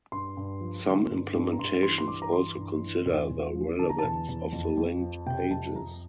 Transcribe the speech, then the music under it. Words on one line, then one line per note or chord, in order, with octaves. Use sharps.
Some implementations also consider the relevance of the linked pages.
G2 C6
G2
F3
D3
G2
G2
A#5
G2 C6
E3 C6
C6
G2 D6
A#5
E3 C6
G2
E3
E2
E2
F3
D3 A5
A#5
E2 A5
E2
F2
F2
F3
C3 G5
F2 A5
F2 A#5